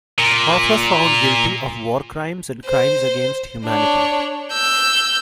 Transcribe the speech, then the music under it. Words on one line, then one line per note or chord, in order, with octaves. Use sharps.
Hoth was found guilty of war crimes and crimes against humanity.
A#2
C5
D4 C#5
E6 G6